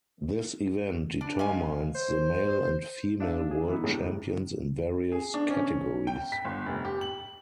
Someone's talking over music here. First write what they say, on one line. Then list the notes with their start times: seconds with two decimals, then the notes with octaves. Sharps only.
This event determines the male and female world champions in various categories.
1.21 D4
1.39 G#3 F5 G#5
1.95 C5
3.20 D4 F4 E5
3.51 G#4
3.69 E3 B3 D#4
3.84 A2 D3 G3 G#3 A#3
5.12 G#4
5.34 D4
5.50 C#4
6.07 G5
6.32 B6
6.45 G1
6.66 F1
6.85 G4
7.01 F#7